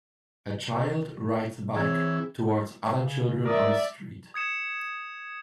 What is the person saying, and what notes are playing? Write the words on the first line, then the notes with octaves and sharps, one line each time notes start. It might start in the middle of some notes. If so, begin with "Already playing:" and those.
A child rides a bike towards other children on a street.
E3 C4 G#4 C#5
C#3
A#4 D5 E5 D#6
D#6 G#6 C#7 E7